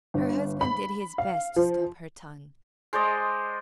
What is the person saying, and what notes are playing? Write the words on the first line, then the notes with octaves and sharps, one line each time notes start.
Her husband did his best to stop her tongue.
G1
B5
F5
F3
G#3 C5 D5 D#5